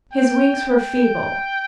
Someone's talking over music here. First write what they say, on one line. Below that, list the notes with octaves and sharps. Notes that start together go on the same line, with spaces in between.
His wings were feeble.
G5
G5